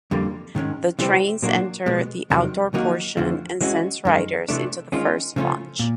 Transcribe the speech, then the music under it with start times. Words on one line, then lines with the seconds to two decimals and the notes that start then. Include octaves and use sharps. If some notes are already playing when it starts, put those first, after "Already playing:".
The trains enter the outdoor portion and sends riders into the first launch.
0.11 F2 D3 G3 A#3
0.55 G#2 D#3 G#3 C#4
0.99 C3 E3 G3 C4
1.42 A#2 F#3 A#3 D4 F#4
1.86 B2 G#3 B3
2.30 E2 C3 D#3 F#3
2.74 D#3 F#3 A#3 D#4 F#4
3.17 F2 D3 F3 A3
3.61 E3 G#3 C#4 F#4
4.05 F#2 D#3 G#3
4.49 C3 E3 A3 D4
4.92 D#3 G#3 C#4 F4
5.36 C#3 F3 A3 C#4 F4
5.79 A#2